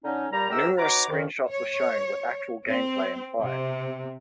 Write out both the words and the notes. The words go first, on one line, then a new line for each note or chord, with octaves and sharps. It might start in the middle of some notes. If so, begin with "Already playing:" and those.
Numerous screen shots were shown, with actual gameplay implied.
D3 C#4 D#4
A#2 G3 A#5
G#2 C3 G4 A#4 A#5 E6
D#4 F#4 B4 C#5 A#5 D6
F2 D#3
C#5
C4
C3